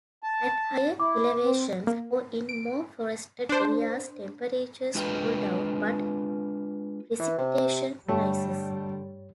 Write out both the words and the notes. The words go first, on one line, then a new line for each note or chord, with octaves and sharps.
At higher elevations or in more forested areas temperatures cool down but precipitation rises.
A5
E4 D6
C4
A#3
D7
D4 C5
G#3 D4 F4 B4 D#5 G5
E3
C3
G2 D3 G3 A3 G4 C#5